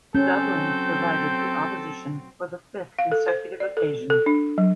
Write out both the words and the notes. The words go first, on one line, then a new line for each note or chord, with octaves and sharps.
Dublin provided the opposition for the fifth consecutive occasion.
F#3 C4 C#4 A4 G6
F5
A4
C5
D5
A4
A4
D4
F#3